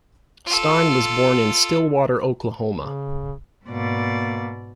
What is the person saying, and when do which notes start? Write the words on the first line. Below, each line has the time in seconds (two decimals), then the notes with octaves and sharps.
Stine was born in Stillwater, Oklahoma.
0.46 F4 A4
2.77 C#3
3.67 G#2 B2 A#3 D5